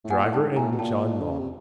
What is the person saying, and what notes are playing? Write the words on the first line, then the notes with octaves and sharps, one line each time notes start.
Driver in John Long's.
A2
A#2 F#5 G#5
A2
G#2 G5 A5
G#2
A2 G#5 A#5
B2
A#2 G5 A5
D3
C#3
C3